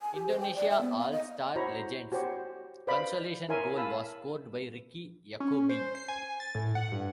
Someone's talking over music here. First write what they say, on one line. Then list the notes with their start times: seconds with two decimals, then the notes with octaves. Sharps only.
Indonesia All-Star Legend's consolation goal was scored by Ricky Yacobi.
0.02 G#5
0.15 G4
0.28 C5
0.40 G5
0.56 D5
0.70 E5
0.81 B3
0.99 F5
1.12 D#5
1.56 E4 F#4 C5 C#5 A#5 B5
2.12 F#4 G4 C5 C#5
2.87 B4 C5 D5 D#5 F5 B5
3.49 E4 A#4 C#5 E5 G#5 C6
3.77 F5 A5 B5 E6
5.40 C#4
5.69 C5
5.95 C7
6.08 G#5
6.40 A6
6.55 A2
6.75 F#5
6.92 G2